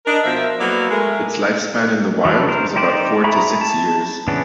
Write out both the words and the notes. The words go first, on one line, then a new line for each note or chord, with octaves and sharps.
Its lifespan in the wild is about four to six years.
D4 D#4 A#4
B2 F3 A#4 C5 E5
F#3 A#3 B3 E4 A4 D5
G#3 A3 A#4
E3 F#3 A3 D4
A#4 C5
D#4 G4 C5 D5
G#4 E5 A#5 B5 C#6
A5
C#3 E3 B3 C#4 D4